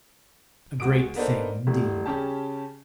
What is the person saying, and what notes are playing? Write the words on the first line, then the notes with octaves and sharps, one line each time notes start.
A great thing, indeed.
C#2 F#4 D#6 D7
A#3 B3 D4 D#4 A4 C5
D#1 A2
C#3 C#4 G4 A5